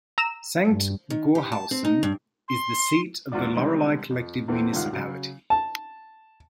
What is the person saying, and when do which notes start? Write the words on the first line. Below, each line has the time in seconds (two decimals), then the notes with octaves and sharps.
Sankt Goarshausen is the seat of the Loreley collective municipality.
0.18 A#5 E6 E7
0.67 G2
1.10 D#3
1.35 G4
1.52 A5
1.71 C4
1.85 D#4
2.03 G2
2.48 C6
3.32 E2 G#2 F4 F#4 D5 D6
3.55 C3 D#3 G3 G#3 C4
4.11 F2
4.48 E2 E3 A3 C4
4.73 C#2 G2 A#2 D#3 F5 F#5
4.93 C#3 F#3
5.50 A5